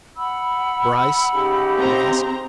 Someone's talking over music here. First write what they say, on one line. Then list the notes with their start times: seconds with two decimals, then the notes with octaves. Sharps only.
"Bryce?" he asked.
0.17 F#5 B5 E6
1.35 C#3 D#4 G4
1.77 C4 C5 A#5